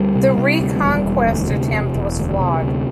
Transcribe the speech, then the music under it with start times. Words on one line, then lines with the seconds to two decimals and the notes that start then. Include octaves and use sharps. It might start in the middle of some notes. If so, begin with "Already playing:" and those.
The reconquest attempt was flawed.
Already playing: D2 G3
0.15 C3
0.38 C3
0.60 D2
0.83 E1
1.05 E1
1.27 D2
1.50 C3
1.73 E1
1.95 E1
2.17 D2
2.40 C3
2.62 D2